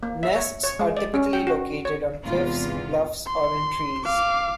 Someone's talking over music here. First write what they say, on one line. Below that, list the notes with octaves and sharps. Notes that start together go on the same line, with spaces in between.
Nests are typically located on cliffs, bluffs or in trees.
A#3
E5
C#5
C#5
G#3
D5
C#4
G5
F#4
C#5
E2 G#2 C3 F4
C6
F5 D6